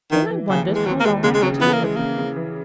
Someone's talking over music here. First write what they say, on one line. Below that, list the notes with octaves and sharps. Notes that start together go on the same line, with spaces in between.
Then I wondered how long I had to live.
D#3 E3
E3
D#2 C#3
E3
G#3
D#2 F#3
A#3
D#2 G#3
C#3 G#3
G#3
C#3 F#3
E3 B3
A#3
E3 G#3
C#3 A#3
C#3
E3